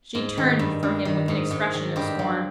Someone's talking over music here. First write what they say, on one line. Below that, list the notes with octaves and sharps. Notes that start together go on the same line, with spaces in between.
She turned from him with an expression of scorn.
G#2
D#3
G2
G2
D#3
G#2
G#2
D#3
G2 G4
F3